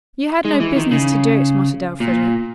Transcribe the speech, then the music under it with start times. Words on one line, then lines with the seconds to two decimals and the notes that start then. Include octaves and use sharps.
"You had no business to do it," muttered Elfreda.
0.45 G#3
0.60 E3
0.76 D#3
0.91 C#3
2.00 A#2